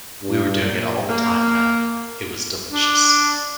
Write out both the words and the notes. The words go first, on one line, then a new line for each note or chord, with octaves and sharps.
We were doing it all the time then, it was delicious.
G2
A#2
A#3
D4